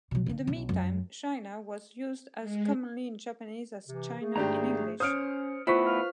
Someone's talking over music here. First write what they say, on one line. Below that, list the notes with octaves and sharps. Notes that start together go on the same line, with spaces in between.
In the meantime, "Shina" was used as commonly in Japanese as "China" in English.
B2 F#3
D3 E3
B1
F#2
G#3
C3 E3
A3 G#4
G#1 D4 G4 A#5
C#4 C5 C#5 D#6 F6 D7
A2 B3 E4 F4 C5 C#6 B6
B4 F5 F6